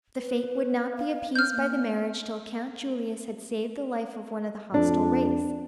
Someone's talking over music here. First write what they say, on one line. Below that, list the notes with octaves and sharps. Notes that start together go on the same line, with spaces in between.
The fate would not be appeased by the marriage, till Count Julius had saved the life of one of the hostile race.
B4
F5
C#4 F6 G6
A#3
F2 D4